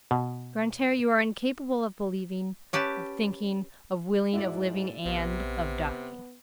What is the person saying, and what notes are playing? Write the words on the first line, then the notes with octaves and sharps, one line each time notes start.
"Grantaire, you are incapable of believing, of thinking, of willing, of living, and of dying."
B2
C#4 G4 B4 A5
G#2 E4 F#4 D5
A#1 C3 B3